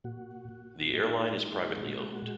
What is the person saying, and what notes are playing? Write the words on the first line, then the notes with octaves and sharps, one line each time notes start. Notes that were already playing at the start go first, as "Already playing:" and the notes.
The airline is privately owned.
A#2 F#4
A#2
A#2 D#4
G#3
A#2 F#4